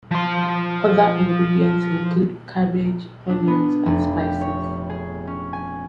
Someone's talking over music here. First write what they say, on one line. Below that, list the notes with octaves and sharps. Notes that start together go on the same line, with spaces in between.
Other ingredients include cabbage, onions, and spices.
F3 C6
D4
B3
F1
G4
C#5
G#4
C#4
G#5